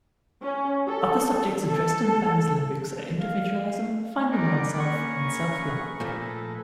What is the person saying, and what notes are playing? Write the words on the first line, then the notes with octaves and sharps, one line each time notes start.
Other subjects addressed in the band's lyrics are individualism, finding oneself and self-love.
C#4
A4
A4
F5
D#4 G#4 A#4 B4 D5
A#3 C#4 C#6
A#2 F3 A3 A4